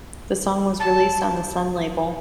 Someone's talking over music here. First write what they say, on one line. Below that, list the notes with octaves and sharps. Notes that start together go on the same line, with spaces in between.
The song was released on the Sun label.
A5